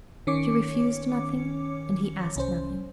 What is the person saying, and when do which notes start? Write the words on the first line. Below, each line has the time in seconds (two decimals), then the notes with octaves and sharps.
She refused nothing, and he asked nothing.
0.27 D#3 C#4 C#5 D6 C#7
2.36 C2 C#4 C5